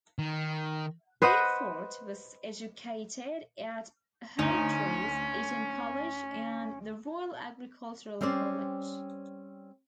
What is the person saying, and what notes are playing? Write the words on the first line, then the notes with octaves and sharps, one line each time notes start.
Beaufort was educated at Hawtreys, Eton College, and the Royal Agricultural College.
D#3
B4 C5 D#5 F#5
D2 C#4 D#4
G3 C4 C#4 C5 D5